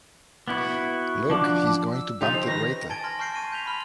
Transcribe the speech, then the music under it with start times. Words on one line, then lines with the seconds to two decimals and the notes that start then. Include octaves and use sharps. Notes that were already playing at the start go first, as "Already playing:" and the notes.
Look — he's going to bump that waiter.
0.48 B3 E4 F#4
1.30 F3 D4 F#5 D6
1.93 E6
2.21 F3 D#4 G4 F7
2.34 C5
2.47 D#3 B4 A#6
2.89 G#5 A5 G#6 A6 D7 G7
3.04 C6 F6 G#6 A#6
3.19 A5 C#6 F6 G6 C7 D7
3.34 A5 C#6 D#7 G7
3.52 G6 B6 F7 G7
3.66 B5 C6 F6 F7